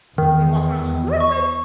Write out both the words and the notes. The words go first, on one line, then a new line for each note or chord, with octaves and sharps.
they walk around going, "So where's my
E2 D#3
C#6